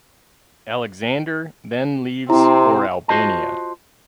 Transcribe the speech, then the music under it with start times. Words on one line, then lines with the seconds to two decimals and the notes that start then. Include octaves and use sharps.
Aleksander then leaves for Albania.
2.30 C3 C4 E4 A#5
3.08 F4 F#4 C5 D#5 A5